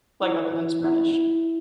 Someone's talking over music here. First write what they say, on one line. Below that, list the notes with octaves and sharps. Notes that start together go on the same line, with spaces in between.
Like other than Spanish?
E4
E4
E4
E4